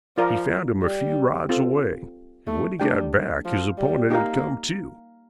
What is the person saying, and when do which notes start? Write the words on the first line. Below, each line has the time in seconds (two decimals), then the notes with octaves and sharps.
He found him a few rods away, and when he got back his opponent had come to.
0.18 F3 F4 A#4 D5 F5
0.83 G3
1.49 C4 F4 A4
2.47 A3
2.79 G3 A3 D4 G4 D5 G5
3.45 F3
3.78 G3
4.10 A#3 D#4 G4 A#4 F5